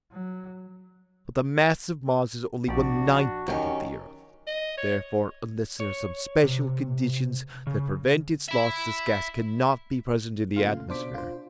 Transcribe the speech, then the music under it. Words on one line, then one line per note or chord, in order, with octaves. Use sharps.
But the mass of Mars is only one-ninth that of the earth; therefore, unless there are some special conditions that prevent its loss, this gas cannot be present in the atmosphere.
F#3
A#1 D4 F#4 G4 D5
D#3 F#3 C#4 G4
D#5
C#5
C#5
C3
C#3
E5 B5
A#2 C#3 A3 F4 F5
B2 D4 C5 D6 B6
F4 C5